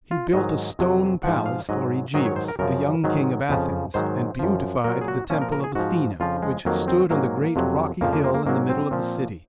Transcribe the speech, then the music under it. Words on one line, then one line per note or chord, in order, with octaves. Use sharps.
He built a stone palace for AEgeus, the young king of Athens, and beautified the Temple of Athena which stood on the great rocky hill in the middle of the city.
F4
G#2 D#3 F#3 D#5
F2 C3 F#3
G#2 F3 F#5
F5
G#2 F#3 D#5
G#2 D#3 F#3 D#5
C#5
C5
A#4
F#2 C#3 F3 A#4
G#2 D#3 F#3
F2 C#3 F3
G#2 D#3 F#3 C5
F#2 F3
A#2 F#3 A#4
G#4
F#4
A#2 F3 C#4
A#4
A#4
G#4
G#2 F3 F#4
F2 C#3 F3 F4
G#3
F2 D#3 F#3 A#3
C4
G#2 F#3 A#3
F2 C3 F#3
F2 C#3 F3 A#3
A#3
A#3
A#3
G#2 F#3 A#3
C4
A#2 F3